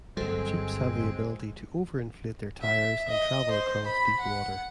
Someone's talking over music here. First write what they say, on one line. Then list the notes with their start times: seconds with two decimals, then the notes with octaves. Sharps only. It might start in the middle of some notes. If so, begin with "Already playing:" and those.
Jeeps have the ability to over-inflate their tires and travel across deep water.
0.17 G1 F#3 G#3 C4 A4
2.61 E5
3.08 D#5
3.51 C5
3.86 B5
4.20 F#5